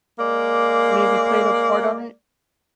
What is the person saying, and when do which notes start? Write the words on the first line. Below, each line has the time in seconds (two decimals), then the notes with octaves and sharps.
maybe played a part on it.
0.18 G#3 A#3 D5